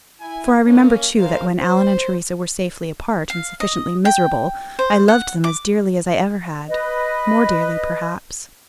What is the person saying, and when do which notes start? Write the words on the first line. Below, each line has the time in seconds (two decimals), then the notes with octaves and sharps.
For I remember, too, that when Allan and Theresa were safely apart and sufficiently miserable I loved them as dearly as I ever had, more dearly perhaps.
0.20 E4 G#5
0.65 A#3 C#4
1.18 E2 G#3 A#4 C5 F5
1.59 C5
3.30 F5
3.60 D#5
4.05 G5
4.79 C5
5.08 F#5
5.44 D6
6.68 B4 D#5